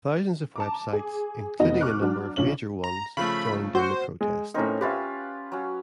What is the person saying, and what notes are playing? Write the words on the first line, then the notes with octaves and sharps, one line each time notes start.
Thousands of websites, including a number of major ones, joined in the protest.
A5 A#5 D6
G#4 G#5
F1 B3 D#4 F#4 D#5
C#6 D6 F6 F#6
F#3 D4 F#4
A#1 C#3 C#5 F#7
A#5
C#3 F3 A3 B5
F#4 C5
G#3
A2 C4 C#4 D#4 A#4
C#4 F4 G4 B4 E5
F#3 C#4